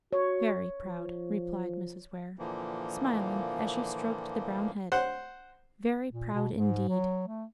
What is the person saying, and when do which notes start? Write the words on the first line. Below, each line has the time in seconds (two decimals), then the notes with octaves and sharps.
"Very proud," replied Mrs. Ware, smiling as she stroked the brown head,--"very proud, indeed."
0.13 F#4 C#5
0.85 F3
2.39 A#2 D3 E3 F3 A#3
4.92 C5 F#5
6.11 A#2
6.34 B2
6.54 G#2
6.89 F#3
7.28 A3